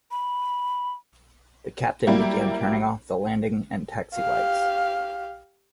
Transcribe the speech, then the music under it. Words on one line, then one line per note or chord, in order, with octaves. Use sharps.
The captain began turning off the landing and taxi lights.
B5
F#3 G3 A#3 E4 G4
G4 F5